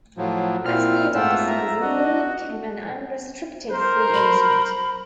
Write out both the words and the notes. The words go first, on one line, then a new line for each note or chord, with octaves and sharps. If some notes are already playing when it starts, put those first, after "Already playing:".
At the end of the season, Lee became an unrestricted free agent.
A2 F3 F#3
A#2 C4 E4 F6
G#2 A3 F4 F#5 G5 E6
E5 A#5
D4 F#4 D#5
A#4 C5
B5